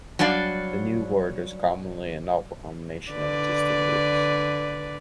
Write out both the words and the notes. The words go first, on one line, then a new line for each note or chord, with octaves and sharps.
The new word is commonly a novel combination of existing roots.
F#3 G3 D4 D5 F5
D3 B4 D5